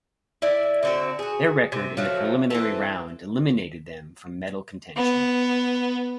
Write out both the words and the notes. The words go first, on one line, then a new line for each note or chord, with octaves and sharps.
Their record in the preliminary round eliminated them from medal contention.
E4 D5 E5
D3 C4 F#4
F#4 G#4
C3
F3 F#3 A3
E3 C4 A4
B3